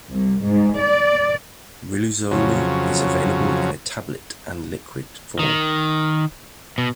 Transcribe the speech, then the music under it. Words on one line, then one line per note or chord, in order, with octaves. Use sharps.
Riluzole is available in a tablet and liquid form.
C2
G#2
D5
F2 C#3 F#3
D#3
B2